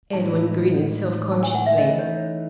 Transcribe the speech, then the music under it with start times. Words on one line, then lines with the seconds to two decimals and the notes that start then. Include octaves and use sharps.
Edwin grinned self-consciously.
0.13 A2 E3 G#3 D#4 A5
1.32 A5
1.43 G#5
1.55 F#5
1.66 E5
1.78 E3 A3 D#4 D#5
1.99 C#5